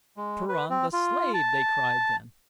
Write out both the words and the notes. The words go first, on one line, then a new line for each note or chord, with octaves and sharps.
"Turan the slave," they cried then.
G#3
B4
C4
F4
A5